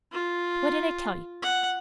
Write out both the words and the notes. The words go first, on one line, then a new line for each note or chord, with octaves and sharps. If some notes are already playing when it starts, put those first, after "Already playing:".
What did I tell you?
F4
F#5